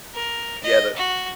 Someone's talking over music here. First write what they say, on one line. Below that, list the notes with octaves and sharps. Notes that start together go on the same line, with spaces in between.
Yeah, the
A#4
D#5
F#4